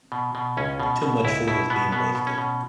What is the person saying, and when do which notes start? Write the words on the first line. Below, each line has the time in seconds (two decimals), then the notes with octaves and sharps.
Too much food is being wasted.
0.12 B2
0.35 B2
0.57 C#2 C#4
0.80 B2
1.02 B2
1.25 C#2 E4
1.48 B2 E4
1.70 B2 B3
1.92 B2 B3
2.15 B2
2.27 C#4
2.38 B2